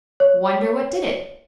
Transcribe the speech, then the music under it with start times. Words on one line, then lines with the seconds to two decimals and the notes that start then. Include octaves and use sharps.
"Wonder what did it?"
0.20 C#5